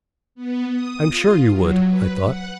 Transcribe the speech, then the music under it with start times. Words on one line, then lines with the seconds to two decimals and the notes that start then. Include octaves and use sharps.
"I'm sure you would," I thought.
0.35 B3
0.70 D#6
1.09 F4
1.48 F#3
1.88 B4
2.21 F#5